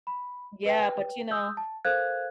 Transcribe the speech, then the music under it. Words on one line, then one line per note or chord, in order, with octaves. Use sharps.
Yeah, but, you know,
B5
B4 G5
D#6 E6 G6
A5
A4 A#4 C5 F5 F#6 G#6